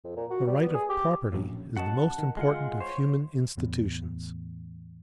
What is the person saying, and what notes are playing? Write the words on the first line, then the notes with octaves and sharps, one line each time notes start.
"The right of property is the most important of human institutions."...
F2
A#2
F#4
G3
B3
G#4
G4
A#1 F#2 A2
F#2 F#4 D#5 F#5 A5
D#3
G#3 F4 F#5
C5 C#5
E2 A2 E3 B3